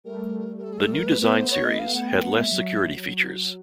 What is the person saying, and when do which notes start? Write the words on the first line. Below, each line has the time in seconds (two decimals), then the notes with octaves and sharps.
The New Design Series had less security features.
0.04 G3 A3 A#4
0.58 A#4
0.64 A4
0.73 G#4
0.78 A4
0.92 A#4
1.07 B4
1.21 A3 B3 B4
1.36 C5
1.51 C#5
1.65 D#5
1.79 F5
1.94 F#5
2.08 G5
2.23 F#5
2.38 G#3 A#3 E5
2.51 F#3